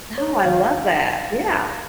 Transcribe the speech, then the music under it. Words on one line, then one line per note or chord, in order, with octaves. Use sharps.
Oh, I love that, yeah.
C#5
D#2 D#3 F5